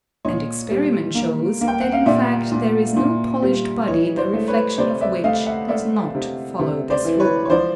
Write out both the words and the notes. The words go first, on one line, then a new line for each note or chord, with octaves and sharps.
And experiment shows that in fact there is no polished body the reflexion of which does not follow this rule.
A#2 C#5 D#5
G3
A#3
A#3
G5
F#5
F5
A#2 D5 E5
A#2
A#2
G3
E3 C#5 D#5
C5 D5
A3
B4 C#5
C3 C5 D5
D5 E5
A3 D#5 F5
E5 F#5
A3 D5 E5
C3
C3
C5 D5
E3
B4 C#5
C#5
F3 C5 D5